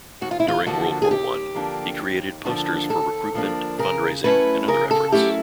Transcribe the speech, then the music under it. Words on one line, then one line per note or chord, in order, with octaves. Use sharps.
During World War One, he created posters for recruitment, fundraising, and other efforts.
D#2 F#4
F4
E4
F4
D3 F3 A#3 D4 F#4
G#4
D#2 G4
D3 F3 A#3 D4
D#2
D3 F3 A#3 D4
D#2 A4
D3 F3 A#3 D4
C#3 A#4
F#3 A3 C#4 E4 B4
C#3 A#4
A4
F#3 A3 C#4 E4 G4